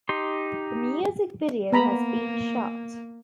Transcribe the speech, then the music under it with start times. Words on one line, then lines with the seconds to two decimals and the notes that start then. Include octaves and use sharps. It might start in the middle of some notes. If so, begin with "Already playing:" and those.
The music video has been shot.
0.09 D#4 G4 C6
1.72 A#3 B3 A#5 B5